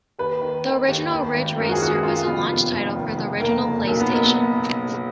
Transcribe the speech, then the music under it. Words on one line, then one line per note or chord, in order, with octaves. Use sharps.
The original "Ridge Racer" was a launch title for the original PlayStation.
D#2 B4
D#3
D#3
D#2
D#3
G#1
F#2 A#4
F#4
G#4
G#1 F#4
G#4
D#3 F4
F1 B3
D#2
F1
D#3
F#1
F2 A#3
F#1
B1 A#3
B3
B2 A#3
B3